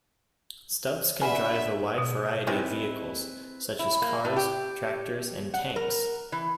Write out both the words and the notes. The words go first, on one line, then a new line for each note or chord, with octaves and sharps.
Stubbs can drive a wide variety of vehicles, such as cars, tractors and tanks.
D4 F4 F#4 B4 E5 G#5 F6
B2
D#3 G3 G#3 C4 E4 B4
E4
A#3
A2
G4
F#5
A#4
E3